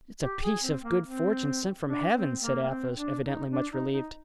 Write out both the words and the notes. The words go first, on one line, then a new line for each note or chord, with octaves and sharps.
"It's a piece of good fortune sent from Heaven," said Athos, evidently much relieved.
G4
G#4
C4
A#3
C4
D4
C4
A#3
A#3
C4
D4
D#4
D4
D#4
D#4